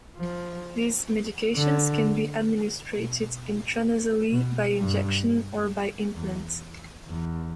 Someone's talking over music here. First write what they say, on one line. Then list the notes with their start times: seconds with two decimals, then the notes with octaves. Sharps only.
These medications can be administered intranasally, by injection, or by implant.
0.17 F3
1.55 D3
2.94 B2
4.32 B2
4.79 G2
6.15 E2
7.08 E2